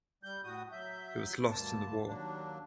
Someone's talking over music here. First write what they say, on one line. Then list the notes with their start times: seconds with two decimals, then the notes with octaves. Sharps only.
It was lost in the war.
0.23 G3 G6
0.44 A2 F#4 D#6
0.72 F#3 E5 G6
1.51 D2 G2 A#3 A5
2.06 D#2 F#3 A#3 D4